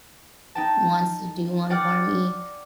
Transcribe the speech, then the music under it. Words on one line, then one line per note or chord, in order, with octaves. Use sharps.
wants to do one for me,
D#4 G5 A5
D5 F#5 G5 D6 F6 A6